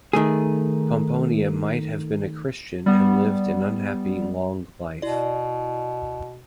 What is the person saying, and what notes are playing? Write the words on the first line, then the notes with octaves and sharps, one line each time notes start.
Pomponia might have been a Christian and lived an unhappy long life.
D#3 A3 G#4
G3 B3
B2 E4 D5